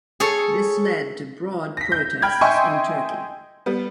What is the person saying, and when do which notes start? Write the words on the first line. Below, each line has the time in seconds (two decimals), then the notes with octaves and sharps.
This led to broad protests in Turkey.
0.20 G#4 A4 C#5
1.77 A#6 B6
1.92 G6
2.22 G5 B5 F6 G6 G#6
2.41 D#5 E5 G5 G#5 C6 C#6
3.66 G3 B3